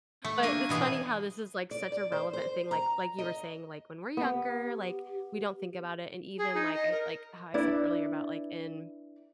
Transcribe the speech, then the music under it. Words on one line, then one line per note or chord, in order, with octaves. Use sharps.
But, it's funny how this is, like, such a relevant thing, like like, you were saying, like, when we're younger, like, we don't think about it and even, like, I like, how I said earlier about, like, in
A3
A#3 D4 G#5
B2 E3 G#4
D5
D5
C5
C5
A#5
D#5
B3 G4
G#4
D#4
D#5
A#4
D4 E4 B4 D5